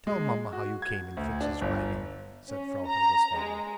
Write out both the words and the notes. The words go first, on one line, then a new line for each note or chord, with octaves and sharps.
"Tell mamma how you came in Fritz's wagon," said Frau Hildesmuller.
G#3
F#4
G#6
D2
D4
G1
C#4
A#5
G#3